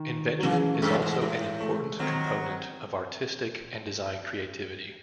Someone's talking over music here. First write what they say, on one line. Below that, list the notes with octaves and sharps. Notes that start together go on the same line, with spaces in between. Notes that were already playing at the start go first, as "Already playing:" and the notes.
Invention is also an important component of artistic and design creativity.
Already playing: D#3
F#3
C#3 E3
A3
F#2 G#3
G#2
A2
A3
G#3
A3
D#3 F#3 C4